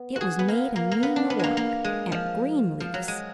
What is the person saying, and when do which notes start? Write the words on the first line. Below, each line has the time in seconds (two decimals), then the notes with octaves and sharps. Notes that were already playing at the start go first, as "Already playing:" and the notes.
It was made in New York at Greenleaf's.
Already playing: B3
0.16 F#4
0.21 G#4
0.39 B3
0.48 A#3
0.76 A#3
0.92 A#3
1.03 B3
1.16 D4
1.30 B3
1.39 G#3 A#3
1.57 A#3
1.84 G#3
2.12 F3
2.80 F3
2.94 F#3
3.08 G#3